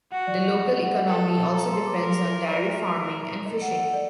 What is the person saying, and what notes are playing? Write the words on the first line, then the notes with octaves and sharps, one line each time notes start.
The local economy also depends on dairy farming and fishing.
F#4 F#5
D5
D#5
D#5
F#5
A4 G5
A5
A4 A#5
C6
D6
A#4 C6
A#4 D5
A4 D#5
F#5
F#5
D5